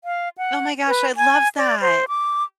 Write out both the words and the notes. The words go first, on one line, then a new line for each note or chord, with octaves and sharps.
Oh my gosh, I love that.
F5
F#5
B4
G#5
D5
C5
D6